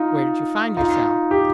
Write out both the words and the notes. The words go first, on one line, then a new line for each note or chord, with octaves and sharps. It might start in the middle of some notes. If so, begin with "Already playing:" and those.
"Where did you find yourself?"
Already playing: D#4 F4
D#4 F4
G4